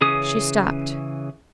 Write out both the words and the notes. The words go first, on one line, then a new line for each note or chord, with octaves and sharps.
She stopped.
C#3 E3 C#4 G#4 D#6